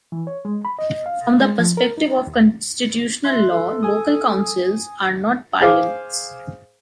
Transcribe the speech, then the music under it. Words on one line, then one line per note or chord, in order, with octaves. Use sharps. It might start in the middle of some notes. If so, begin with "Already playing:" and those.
From the perspective of constitutional law, local councils are not parliaments.
E3
C#5
G#3
B5
D#5
F5
G#3
F3
A#4
D#4
D#2
E5 C6 F#6
A4
G#5 D#6
G#4 C5 F5 D6